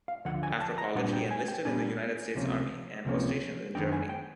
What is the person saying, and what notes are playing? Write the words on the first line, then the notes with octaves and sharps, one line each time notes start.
After college, he enlisted in the United States Army, and was stationed in Germany.
F5
D2 D3 F3 F#5
G#5
A5
A#5
A#2 G3 B3 D4 F#5
G5
G#5
G5
A#2 G3 B3 D4 G#5
C#2 C3 F3 A#3 C#4
C#2 C3 F3 A#3 C#4
F#2 D#3 G#3 B3 D4 G5
G#5
G5